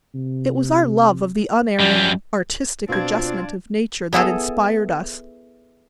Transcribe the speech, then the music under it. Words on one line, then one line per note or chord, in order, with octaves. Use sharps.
It was our love of the Unerring Artistic Adjustment of Nature that inspired us.
C3
F#2 F3 G3
B2 C4 D4 F4 G#6
B3 E4 G#4 A4